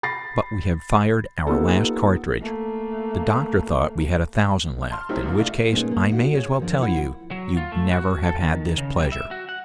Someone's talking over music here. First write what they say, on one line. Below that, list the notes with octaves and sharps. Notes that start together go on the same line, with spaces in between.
But we have fired our last cartridge--the doctor thought we had a thousand left--in which case, I may as well tell you, you'd never have had this pleasure.
B5 A6 A#6 C7
A#3 B3 D#4 F4 G4 A4
A3 A#3
A5 C6 F6
F#3 A3 C4 D#4 E4 G4
C2 G#2 B2 D3 E3 A#3
A3 D4 F4
A#2 A3 B3 C#4 D#4 G#4
A#3
D#4 F4 F#4
G#4 C#5
D#3 F3 D4
E4 F4 F#5
F#3
F4
A3
F#4
A4
D#3
C#3
G3
E5
F#4
F#5